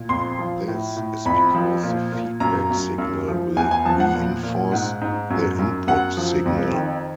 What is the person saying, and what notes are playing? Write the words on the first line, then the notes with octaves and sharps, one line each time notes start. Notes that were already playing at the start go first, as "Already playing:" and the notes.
This is because the feedback signal will reinforce the input signal.
Already playing: A#2
F2 C6
F3
A2
A2
F2 B5
F3
A#2
A#2
F#2 A#5
F#2
F#2
F3
E2 G#5
G#5
F3 A5
F#5
A#2
A#2
G#2 F#5
G#2
F#2
F#2
F#2 F#5
F3
F2
D#3